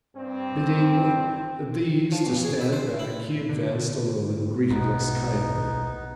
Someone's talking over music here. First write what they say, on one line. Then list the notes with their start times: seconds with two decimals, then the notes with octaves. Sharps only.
Bidding these to stand back, he advanced alone and greeted us kindly.
0.16 G2 C4
2.12 F3
2.25 B1
2.43 G#4
2.61 E5
2.73 C5
2.99 E4
3.49 D3
4.70 B1 A2 B3 D#4